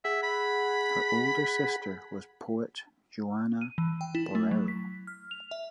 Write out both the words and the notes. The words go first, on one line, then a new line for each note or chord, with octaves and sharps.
Her older sister was the poet Juana Borrero.
G#4 E5 F#5
B5
D#7
E3
G5
E4
A3
F#3
B6
F6
F7
E5